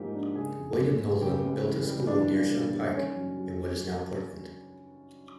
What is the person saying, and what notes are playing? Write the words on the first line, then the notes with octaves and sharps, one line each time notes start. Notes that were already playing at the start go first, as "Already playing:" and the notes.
William Nolan built a school near Shun Pike in what is now Portland.
Already playing: G#2 F3 A#3 G4
D4
C#3 G#4 G#5
F2
F#3
B3
C#3 G4 G5
C#2
E3
G3
E3 D4 D5
G2
G3
A#3
D#3 C#4 C#5
F#2
F#3